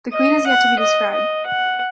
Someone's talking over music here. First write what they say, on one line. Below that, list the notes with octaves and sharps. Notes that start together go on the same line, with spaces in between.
The queen has yet to be described.
D#5
F#5
D#5
D#5
F#5